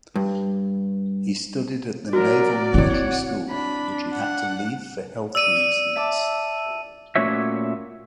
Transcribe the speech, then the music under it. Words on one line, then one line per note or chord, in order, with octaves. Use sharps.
He studied at the Naval Military School, which he had to leave for health reasons.
G2
F#3 F#4 A#4 D5
C4 E4 C#5 F#5
D4 B5
F#5
D5 E6 D#7
E5 A5 D6
A#2 A3 C#4 F#4 C#5 E5